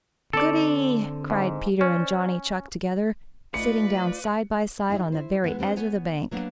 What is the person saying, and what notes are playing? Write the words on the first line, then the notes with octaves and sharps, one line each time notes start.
"Goody!" cried Peter and Johnny Chuck together, sitting down side by side on the very edge of the bank.
D3 C4 A4 D5 C#6
G#2
C#4 C5 D5
A3 D#4 F4 B4 D5 C#7
D#4 E4 G#4
E4 C5
E3 G#3 B3
G3 C4 D4 D#5
B3 C#5 G#5
F#3 A#3 B3 D4